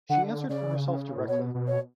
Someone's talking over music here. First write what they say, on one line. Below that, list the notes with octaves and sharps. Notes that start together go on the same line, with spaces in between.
She answered for herself directly.
D3 F#5
C#3 D5
A2
B2 C#5
B2
C#5